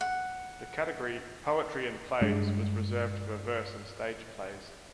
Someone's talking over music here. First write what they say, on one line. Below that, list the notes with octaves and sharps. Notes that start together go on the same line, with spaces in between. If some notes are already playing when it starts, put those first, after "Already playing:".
The category "Poetry and Plays" was reserved for verse and stage plays.
F#5
G2 G3 G#3 D4